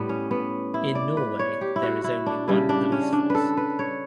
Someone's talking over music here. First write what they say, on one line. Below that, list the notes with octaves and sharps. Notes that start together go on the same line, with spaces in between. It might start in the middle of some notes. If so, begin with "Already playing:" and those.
In Norway there is only one police force.
Already playing: A2 G3 B3
C#4
B3
E4
D5
B4
C#5
G4
E4
F#4
E4
D4
C#3 G3 E4
D4
C#4
D4
A4 B4
B4
C#5